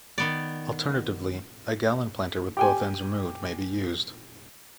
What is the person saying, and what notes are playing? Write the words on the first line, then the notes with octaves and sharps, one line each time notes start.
Alternatively, a gallon planter with both ends removed may be used.
D#3 B3 D5
G4 G5 G#5